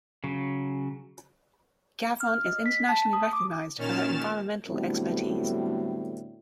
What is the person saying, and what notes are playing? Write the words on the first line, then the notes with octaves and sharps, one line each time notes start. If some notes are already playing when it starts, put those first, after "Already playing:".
Gavron is internationally recognised for her environmental expertise.
C#3 F#3
F6
D#5
B6
A5
D#6
D6
A#2 D#3 C#4 F6 A6 E7
A2 D3 F#3 G3 B3 C4